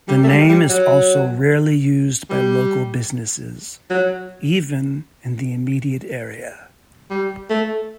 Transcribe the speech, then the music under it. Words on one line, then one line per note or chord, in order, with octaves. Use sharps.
The name is also rarely used by local businesses, even in the immediate area.
G3
A3
G3
G3
F#3
G3
F#3
G3
A3